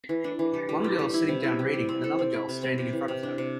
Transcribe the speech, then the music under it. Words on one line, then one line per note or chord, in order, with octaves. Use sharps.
One girl sitting down reading and another girl standing in front of her.
E3
D4
E3
G3
G3
G4
G3
E4
C3
E4
G4
G3
C4
A4
C4
E4
C3
C4
C3
E3
C3
D4
C3